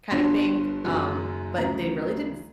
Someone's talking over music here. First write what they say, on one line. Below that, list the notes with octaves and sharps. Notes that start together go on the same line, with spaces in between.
kinda thing, um, but they really didn't
G1 G2 D3 F3 C6
F#1 F#2 D#3 F#3
D2 C#3 F#3 A#5